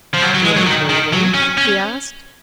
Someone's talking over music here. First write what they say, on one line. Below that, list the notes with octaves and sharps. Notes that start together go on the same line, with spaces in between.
"You're not grieving?" he asked.
F3
F#3
F#3
G#3
F#3
D#3
D#3
F#3
C#4
C#4